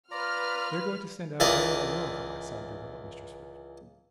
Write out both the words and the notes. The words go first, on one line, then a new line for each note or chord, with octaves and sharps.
"They are going to send out a general alarm for my son," bewailed Mr. Swift.
F4 B4 D5 A#5 F6
C#2 E3 A#4 D5 D#5